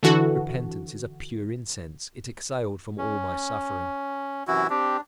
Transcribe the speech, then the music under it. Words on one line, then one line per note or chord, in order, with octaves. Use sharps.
Repentance is a pure incense; it exhaled from all my suffering.
D3 E3 F#4 A4
C#4
F#2 C3 E3 E4 F#4
C4 D4 G4